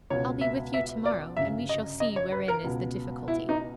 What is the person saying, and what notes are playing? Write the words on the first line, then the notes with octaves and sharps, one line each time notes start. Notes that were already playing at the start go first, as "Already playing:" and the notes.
'I'll be with you to-morrow, and we shall see wherein is the difficulty.'
C#2 B2 C#5
E5
E5
D5
G1 F#2 C#3 E5
D#5
D#5
C#5
B4
A#4
C#2 B2
E4
D#4